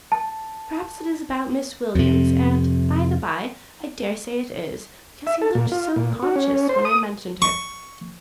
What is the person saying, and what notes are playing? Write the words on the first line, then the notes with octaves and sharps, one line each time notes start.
Perhaps it is about Miss Williams and, by the bye, I dare say it is, because he looked so conscious when I mentioned her.
A5
F2 C3
E5
A4
A#2
F4
A#2
F#4
C#4
C5
D#6
C#6